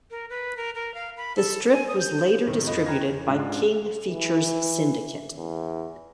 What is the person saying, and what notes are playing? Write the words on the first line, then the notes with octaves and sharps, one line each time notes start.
The strip was later distributed by King Features Syndicate.
A#4
B4
A#4
A#4
F5
B5
A4
G#5
D#6
G6
A2 C3 D#3
F2 F3 D#5 B5
B4 G5 A#5 F6 G#6 A#6
E2
C#2 G#2 C#3 D4 F4
E3
E2